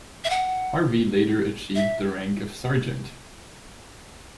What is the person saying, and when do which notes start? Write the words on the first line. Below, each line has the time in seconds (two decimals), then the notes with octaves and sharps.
Harvey later achieved the rank of sergeant.
0.24 E5
0.30 F#5
1.75 E5